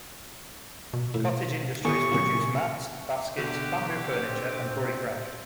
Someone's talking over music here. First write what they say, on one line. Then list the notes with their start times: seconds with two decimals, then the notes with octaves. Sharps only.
Cottage industries produce mats, baskets, bamboo furniture, and buricraft.
0.93 B2
1.14 A2
1.85 D3 B3 E4 G4 C#5 G#5 C#6 D#6
2.12 C2 A#2 C#3 F#3 B4
3.37 B2 D3 F#4 G4
4.19 C4